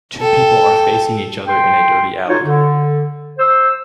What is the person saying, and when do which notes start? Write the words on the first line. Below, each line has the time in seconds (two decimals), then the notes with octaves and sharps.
Two people are facing each other in a dirty alley.
0.20 A4 G5
1.47 G5 C6
2.29 D#4 F4 F#4 C#5
2.44 D3
3.39 C5 E6